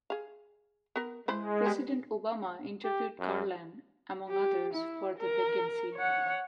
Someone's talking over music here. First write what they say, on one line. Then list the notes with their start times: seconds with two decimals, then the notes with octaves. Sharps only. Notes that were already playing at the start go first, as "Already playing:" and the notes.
President Obama interviewed Garland, among others, for the vacancy.
0.10 G#4 F5
0.96 B3 A#4
1.28 E3 G#3 C5 B5
1.66 G3 B3
2.84 G4
3.19 F#2
4.29 G4
4.73 E4
5.18 A#4
5.95 C#5 F#5